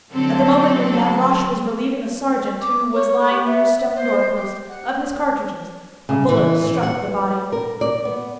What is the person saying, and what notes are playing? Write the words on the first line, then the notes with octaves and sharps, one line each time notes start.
At the moment when Gavroche was relieving a sergeant, who was lying near a stone door-post, of his cartridges, a bullet struck the body.
D3 F#3 C4 A4
D6
C#5
G4
E5
C5
G4
F#5
C#3
E3
E3
F#5
A#4
D5
B3